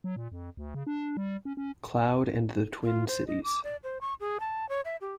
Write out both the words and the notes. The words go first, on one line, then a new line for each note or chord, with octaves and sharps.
Cloud and the Twin Cities.
F#3
A#2
F2
D2
C#3
D4
G3
C#4
C#4
F4
C5
D#5
D6
D5
C5
C#6
G#4
A5
C#5
E5
G4